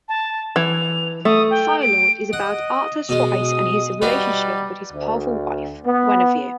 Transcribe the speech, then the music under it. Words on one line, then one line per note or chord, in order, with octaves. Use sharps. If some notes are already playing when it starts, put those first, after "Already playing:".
"Firelord" is about Arthur's rise and his relationship with his powerful wife, Guenevere.
A5
E3 F7
A3 D#6
G5
D7
D#5 F#5
B2 G#3 D#6
G3 D#4 F#4 B4
D2
B3